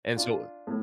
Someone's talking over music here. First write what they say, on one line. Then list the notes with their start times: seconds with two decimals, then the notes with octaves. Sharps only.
and so
0.17 D4 F4
0.67 A2